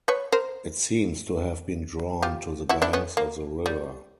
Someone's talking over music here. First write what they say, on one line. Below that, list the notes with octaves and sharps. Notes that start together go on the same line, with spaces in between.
It seems to have been drawn to the banks of the river.
B4 C#5
A#4 C5
F4 G4
E4 F#4
D4 E4
B3 C#4
A#3
G3